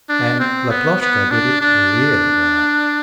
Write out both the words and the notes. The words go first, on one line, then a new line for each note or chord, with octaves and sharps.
And Laploshka did it really well.
D4
C4
B3
B3
D4
D4